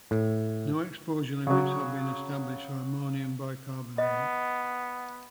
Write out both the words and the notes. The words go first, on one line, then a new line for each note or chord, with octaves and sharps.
No exposure limits have been established for Ammonium Bicarbonate.
A2
C#3 F#3
B3 D#5